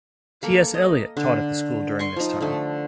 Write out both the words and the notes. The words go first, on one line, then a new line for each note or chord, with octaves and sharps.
T. S. Eliot taught at the school during this time.
A#3 A4
D#5
D3 D4
C6 C#6
F3 D#4
D3 F3 A3